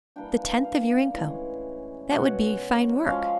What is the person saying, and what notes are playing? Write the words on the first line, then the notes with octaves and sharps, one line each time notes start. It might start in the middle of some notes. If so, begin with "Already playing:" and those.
"The tenth of your income--that would be fine work."
E3 G3 A#3 D4 G5
F5
A2 E3 G#3 C#4
B2 G#3 C#4 F#5
F3 G#3 C#4 F5